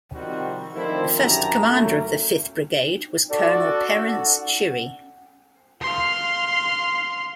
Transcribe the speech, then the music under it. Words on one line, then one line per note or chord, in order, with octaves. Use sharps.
The first Commander of the Fifth Brigade was Colonel Perence Shiri.
C3 D#3 F3 G3 C4 F#4
D#3 F3 A3 C4 D4 E4
F#2 D3 E4 G4 A5 A#5
F#2 A3 A#3
F#4 A4 D5
F#5
F5 C6